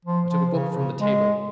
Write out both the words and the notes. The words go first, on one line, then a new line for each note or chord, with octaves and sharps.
I took a book from the table.
F3
F3
C#3
C#3
G#3